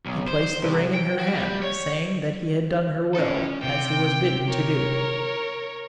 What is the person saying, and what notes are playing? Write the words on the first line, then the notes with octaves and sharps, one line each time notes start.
He placed the ring in her hand, saying that he had done her will, as he was bidden to do.
B1
C5
C2
G5
F#4
G3
C#5
C#4 E4 A4
C3 C4 G5
A#4 C#5